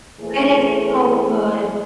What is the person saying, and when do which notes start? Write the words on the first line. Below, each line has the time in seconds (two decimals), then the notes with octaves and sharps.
it is so good,
0.20 E2 E3 A3 E4 G#4 C5